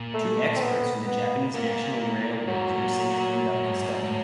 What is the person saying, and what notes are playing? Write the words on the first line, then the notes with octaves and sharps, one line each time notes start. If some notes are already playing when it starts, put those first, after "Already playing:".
Two experts from the Japanese National Railways were sent to conduct the study.
Already playing: A#2
A3
C4
B3
B3
A#2 A#3
G#2 F#3
A2
A#2
A#2
A#2
A2
G#2
A2